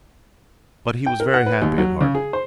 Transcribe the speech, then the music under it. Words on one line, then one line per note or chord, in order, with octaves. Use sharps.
But he was very happy at heart.
G5
A#4
F#5
B4
D#2
F#3
C#3
G#4
C5